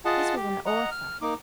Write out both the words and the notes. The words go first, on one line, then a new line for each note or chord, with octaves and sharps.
This was an author.
F4 G#4 D#5 F#5 A5
G4
D#5 F#5 A#5
F6
A#3 D#4 D6